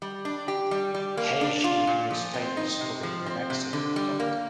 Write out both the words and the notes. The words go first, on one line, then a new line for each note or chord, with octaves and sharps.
He Zhi was famous for being an excellent doctor.
G3
D4
G4
G3
G3
A#3
D4
F4
A#2
F3
C4
D#4
C3
F3
C4
C3
D3
G3
A#3